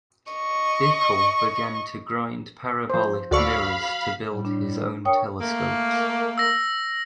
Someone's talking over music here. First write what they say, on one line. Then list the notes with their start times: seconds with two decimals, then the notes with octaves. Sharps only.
Bickel began to grind parabolic mirrors to build his own telescopes.
0.32 D#5 C#6
2.90 F3 C5
3.31 D2 F#4 A4 D5 F5 B5 C#6
4.33 A2 G3
4.45 D4
5.05 A#4 C#5 G5 C#6 D#6
5.41 A3 A#3
6.38 E6 A#6